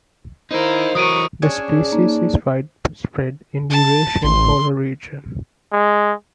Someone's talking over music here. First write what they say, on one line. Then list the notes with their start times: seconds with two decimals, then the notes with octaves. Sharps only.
The species is widespread in the Eurasian polar region.
0.51 D#4 E4 A#4 C5 F5
0.95 E3 F#3 A#4 C#6 D#6 D7 D#7
1.42 C#4 D4 G#4
1.92 A#3 D#4
3.70 A5
4.24 A1 C6
5.72 G#3